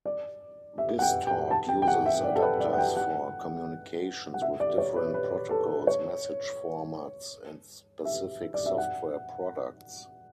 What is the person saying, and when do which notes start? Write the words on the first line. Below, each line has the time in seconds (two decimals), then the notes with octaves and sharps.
BizTalk uses adapters for communications with different protocols, message formats, and specific software products.
0.06 D5
0.78 E5
0.99 F#5
1.02 G5
1.27 G5
1.51 A5
1.69 G5
1.82 G5
1.88 F#5
2.06 E5
2.24 D5
2.36 A4
2.42 B4
2.60 D5
2.73 F#5
2.78 G5
2.97 F#5
4.34 F#5
4.42 E5
4.60 D5
4.78 C#5
4.96 B4
5.14 B4
5.50 A4
5.87 C#5
8.05 E5
8.54 D5
8.66 E5
8.78 F#5